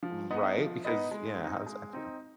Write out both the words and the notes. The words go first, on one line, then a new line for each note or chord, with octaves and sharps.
Right, because yeah, how does that feel?
F3
B3 D#4 B4 D#5
F3
B3 D#4 B4 D#5
G#3
C4 D#4
G#3
C4 D#4